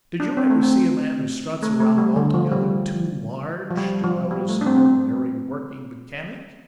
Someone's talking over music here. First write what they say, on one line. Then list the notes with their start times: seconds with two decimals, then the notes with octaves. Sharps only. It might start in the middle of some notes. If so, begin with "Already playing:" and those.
Did you ever see a man who struts around altogether too large to notice an ordinary working mechanic?
0.20 D4
0.37 C4
0.50 A3
0.63 C4
1.63 A3
1.80 A3
1.98 G3
2.16 D3
2.34 F3
2.52 G3
3.71 F3
3.77 G3
4.04 F3
4.31 G3
4.49 A3
4.61 D4
4.66 C4
4.77 C4